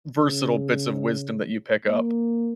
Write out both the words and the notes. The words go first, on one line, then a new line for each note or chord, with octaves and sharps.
versatile bits of wisdom that you pick up.
C#3
A#3